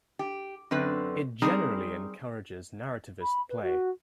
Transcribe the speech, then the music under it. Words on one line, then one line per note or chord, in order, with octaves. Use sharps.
It generally encourages narrativist play.
G4
F#2 D3 C4 B4
G3 C4 D#4 G#4 A#4
B5
B4
F#4